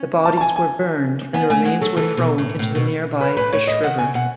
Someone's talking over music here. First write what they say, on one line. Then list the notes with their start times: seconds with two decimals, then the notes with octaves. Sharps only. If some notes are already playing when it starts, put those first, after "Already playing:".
The bodies were burned and the remains were thrown into the nearby Fish River.
Already playing: C#4
0.25 A5
0.37 A5
0.41 G#5
0.56 G#5
1.34 B3 G#5
1.50 A3 G#5
1.65 G#3 F#5
1.81 F#3 A4
1.97 E3 A4
2.17 B2
2.38 A2
2.59 A2
2.75 B2
3.21 B4
3.37 A2 B4
3.53 A2 C#5
3.67 A2 D#5
3.83 D#3 F#5
3.98 C#3 G#5
4.14 B2 F#5